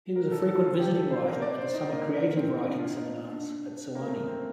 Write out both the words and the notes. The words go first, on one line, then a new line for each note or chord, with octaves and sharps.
He was a frequent visiting writer at the summer creative writing seminars at Sewanee.
A#4
A4
A4
F4
G4
A4
C5
A#4
D5
C5
D#4
A#3
C4
C4
D4
F4
D#4
D4
A#3
A3
A#3
C4